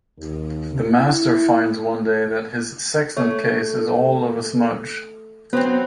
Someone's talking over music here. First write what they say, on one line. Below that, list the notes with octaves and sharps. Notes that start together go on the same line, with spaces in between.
The master finds one day that his sextant case is all of a smudge.
D#2
E4
A3 C#5
F#3 B3 C4 C5